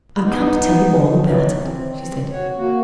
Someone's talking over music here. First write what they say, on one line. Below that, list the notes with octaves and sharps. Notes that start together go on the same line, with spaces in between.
"I've come to tell you all about it," she said.
B3 D#4
B2 E3 F#3
C4
C4
F#4 C#5
A#3 F#4